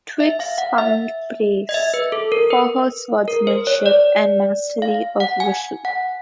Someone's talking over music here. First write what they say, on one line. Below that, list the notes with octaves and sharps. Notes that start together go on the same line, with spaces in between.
Twigs found praise for her swordsmanship and mastery of Wushu.
E5
F5
F#5
E5
D#5
E5
B4
A4
A#4
B4
A#4
C5
C#5
D5
F5
F#5
G#5
F#5